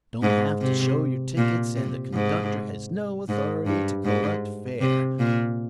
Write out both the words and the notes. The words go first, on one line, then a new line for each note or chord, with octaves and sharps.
Don't have to show your tickets, and the conductor has no authority to collect fare.
G#2
C3
A#2
C3
G#2
G#2
G2
G#2
C3
A#2